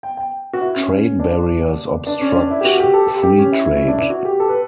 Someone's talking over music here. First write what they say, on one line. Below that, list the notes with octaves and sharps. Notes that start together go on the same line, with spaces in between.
Trade barriers obstruct free trade.
G5
G5
F#4
E4
C#4
D4
D4
C#4
D4
E4
G4
F#4
G4
A4
G4
G4
C#4
E4
C#4
D4
E4
F#4
G4
A4
B4